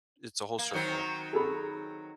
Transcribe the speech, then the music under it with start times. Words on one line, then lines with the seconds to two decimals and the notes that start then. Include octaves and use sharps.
it's a whole circle.
0.58 A#3
0.74 D#3 F#3 C4
1.33 G#4 A4 B5